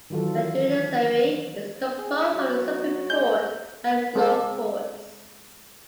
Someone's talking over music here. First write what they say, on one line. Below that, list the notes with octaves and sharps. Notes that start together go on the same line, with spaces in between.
The judiciary is composed of the Supreme Court and lower courts.
D#3 E3 F#3 F4 A4
G#4
F#3
G#3 G6
G#3 C4 G#4 A4